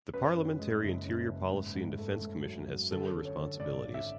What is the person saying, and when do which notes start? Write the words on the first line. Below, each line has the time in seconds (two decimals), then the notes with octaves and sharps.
The Parliamentary Interior Policy and Defence Commission has similar responsibilities.
0.14 F#2 B4
0.37 F#2
0.59 G#3
0.83 F#1
1.06 F#2
1.29 F#1
1.52 G#2
1.75 G#2
1.98 A3
2.21 G#2
2.44 F#3
2.67 F#3
2.91 D3 A4
3.14 F#2
3.25 C#5
3.37 D3
3.59 G#1 D5
3.83 D3
3.94 E5